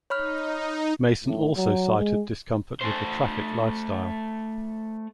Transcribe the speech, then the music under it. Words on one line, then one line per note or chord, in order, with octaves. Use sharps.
Mason also cited discomfort with the Traffic lifestyle.
D#4 C#5 B5 F6
A2
F#3
G#3
A3 C5